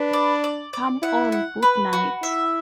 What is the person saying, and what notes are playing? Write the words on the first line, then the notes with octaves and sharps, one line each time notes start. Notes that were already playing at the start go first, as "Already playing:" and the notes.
Come on, good night!
Already playing: D4 B4
D5
D5
D5
E4 F#5
F#5
B4
F#4
E4 E5